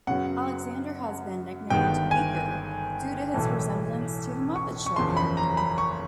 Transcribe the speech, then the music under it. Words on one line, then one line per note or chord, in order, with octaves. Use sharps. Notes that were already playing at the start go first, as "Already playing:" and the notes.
Alexander has been nicknamed "Beaker" due to his resemblance to "The Muppet Show" character.
F#2 C#3 F#3 B3 F#5
G1 G2 D#3 G#3 B3 G5
G#5
B1 A2 E3 A3
C#6
C#6
F#1 E2 C#3 F3 C6
B5
A#5
B5
C#6